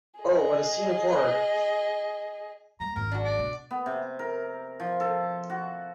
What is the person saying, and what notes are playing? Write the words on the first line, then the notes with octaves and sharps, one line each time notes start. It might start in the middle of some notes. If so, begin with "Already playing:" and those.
Oh, what a scene of horror!
G#4 D#5
G3 A#3 A#5
G#1 F#2 A#4
D4 F#4
D5
B2
B3
C3
A#4
F3
A4
F#4